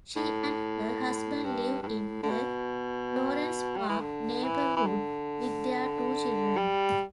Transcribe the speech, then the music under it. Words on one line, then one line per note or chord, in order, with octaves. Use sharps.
She and her husband live in the Lawrence Park neighbourhood with their two children.
A2
G2
G2
A2
D3
B2
G3
E3
D3
E3
E3
D3
G3